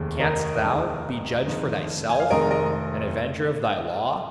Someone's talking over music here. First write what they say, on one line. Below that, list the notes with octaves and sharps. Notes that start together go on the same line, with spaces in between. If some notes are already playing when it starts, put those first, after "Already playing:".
Canst thou be judge for thyself, and avenger of thy law?
Already playing: F1 D#2 D#3 G#3
A#4 D#5
F1 D#2 D#3 G#3
F1 F2 D#3 G#3
G#5
F5
F1 F2 D#3 G#3 A#4 D#5
A#4 D#5